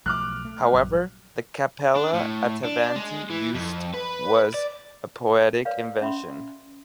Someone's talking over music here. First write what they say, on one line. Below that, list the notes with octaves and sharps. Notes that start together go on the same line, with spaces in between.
However, the Cappella Attavanti used was a poetic invention.
B1 F3 A3 D6 F6 F#6
A3
A#1 G2 F#3
D4
A2
D4
G#3
E3
F2
B4
D5
A#4 B4 C#5 D5 F5
C#4 E5 B5 C6